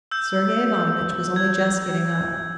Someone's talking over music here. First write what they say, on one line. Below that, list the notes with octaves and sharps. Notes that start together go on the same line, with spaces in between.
Sergey Ivanovitch was only just getting up.
E6 G6
G#6